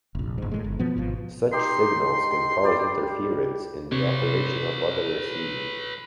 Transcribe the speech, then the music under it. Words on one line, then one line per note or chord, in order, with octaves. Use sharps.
Such signals can cause interference in the operation of other receivers.
F1 A#1
G1 G#2
A2 F3 G#3
G1
B2 F3 B3
G#1 B2 F3
D#4 G4 C6
G3 G4 D5
C3 B4 C#5